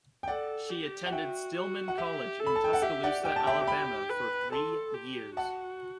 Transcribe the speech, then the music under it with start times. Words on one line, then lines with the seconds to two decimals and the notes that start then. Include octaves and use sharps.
She attended Stillman College in Tuscaloosa, Alabama for three years.
0.23 G5
0.28 A4 D5 F#5
0.70 G4
1.06 F#5
1.12 F#4 E5 G5
1.55 F#4
1.88 F#5
1.98 G4 E5
2.40 A4
2.46 B5
2.56 A5
2.64 G5
2.73 F#5
2.82 G4 E5
3.03 D5 F#5
3.25 G4 G5
3.36 A5
3.47 E5 G5
3.67 G5 B5
4.10 B4
4.52 A4 A5 C6
4.94 G4
5.37 F#4 F#5 A5